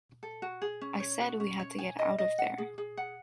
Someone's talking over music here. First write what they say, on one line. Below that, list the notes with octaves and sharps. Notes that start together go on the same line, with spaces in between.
I said we had to get out of there.
A4
F#4
G#4
C#4
C#5
F#4
C#4
C#5
G#5
D#5
D#5
F#5
G#4
G#4
F#5